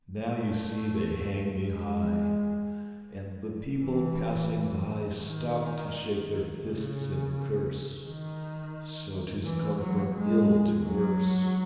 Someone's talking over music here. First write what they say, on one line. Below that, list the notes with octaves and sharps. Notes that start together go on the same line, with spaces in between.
"Now, you see, they hang me high, And the people passing by Stop to shake their fists and curse; So 'tis come from ill to worse."
A3
G#3
E3
D#3
C#3
D#3
E3
F#3
G#3
F#3